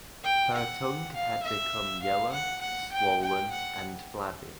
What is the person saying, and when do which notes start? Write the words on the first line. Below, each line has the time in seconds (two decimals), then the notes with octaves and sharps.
Her tongue had become yellow, swollen, and flabby.
0.24 G5
0.54 F#5
1.14 F5
1.43 E5
2.03 F5
2.32 F#5
2.62 F#5
2.92 G5
3.21 G5
3.51 F#5